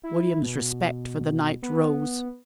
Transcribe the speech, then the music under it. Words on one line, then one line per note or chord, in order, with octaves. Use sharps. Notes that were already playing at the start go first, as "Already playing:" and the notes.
William's respect for the knight rose.
E4
B2
B3